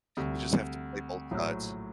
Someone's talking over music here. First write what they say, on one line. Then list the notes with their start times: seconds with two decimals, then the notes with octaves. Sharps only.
you just have to play both sides.
0.17 D2 C3 G3
1.31 A#1 A2 F#3